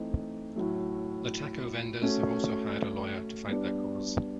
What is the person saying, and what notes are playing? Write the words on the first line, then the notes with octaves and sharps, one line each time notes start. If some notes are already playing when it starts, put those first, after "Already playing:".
The taco vendors have also hired a lawyer to fight their cause.
Already playing: E3 A3 C4 D#4
A2 F#3 A3
A3 C#4 F#4
G3 B3 D4